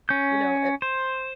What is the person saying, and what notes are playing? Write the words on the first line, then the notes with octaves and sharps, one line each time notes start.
You know, it
C#4 G6
C5